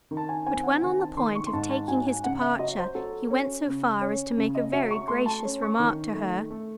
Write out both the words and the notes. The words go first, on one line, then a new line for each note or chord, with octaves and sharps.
But, when on the point of taking his departure, he went so far as to make a very gracious remark to her.
D#3
A5
G#5
C4 G#5
F#5
D#3 G#5
A5
D#3 C6
C#6
C6
G#2 A5
A5
F#3 G#5
G#5
C#3 F#5
E5
F#3 D#5
C5
F#3 A4
C#4
C#3
C#4
C#3
D#5
F#3 E5
C#6
A3 C6
A5
C#4
C#6
D#3
A3
A3